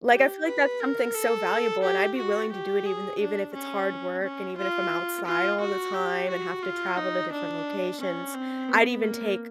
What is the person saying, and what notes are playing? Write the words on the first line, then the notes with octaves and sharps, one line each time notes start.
Like, I feel like that's something so valuable, and I'd be willing to do it even even if it's hard work and even if I'm outside all the time and have to travel to different locations. I'd even take,
G4
B4
A#4
A4
G4
F#4
G4
G#4
D4
C#4
C#4
F4
F4
F#4
G4
F#4
F4
D#4
D4
C#4
C4
B3
A#3